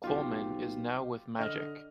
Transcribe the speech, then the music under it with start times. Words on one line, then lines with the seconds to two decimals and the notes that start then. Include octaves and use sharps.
Colman is now with Magic.
0.04 B1 F4 G4
1.39 D3 D#5 F6